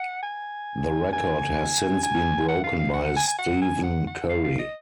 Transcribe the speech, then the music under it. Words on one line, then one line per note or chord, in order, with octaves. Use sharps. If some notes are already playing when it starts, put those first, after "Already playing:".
The record has since been broken by Stephen Curry.
Already playing: F#5
G#5
G#5
G#5
F#5
F5
F5
F#5
F#5
G#5
G#5
F#5
G#5
F#5
F#5
F5
F5
D#5